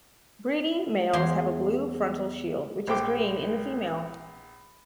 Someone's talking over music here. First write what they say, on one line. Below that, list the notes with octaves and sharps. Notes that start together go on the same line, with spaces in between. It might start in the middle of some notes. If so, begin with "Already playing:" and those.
Breeding males have a blue frontal shield, which is green in the female.
E2 G#3 C5 C6
A#1 C5 G5 D6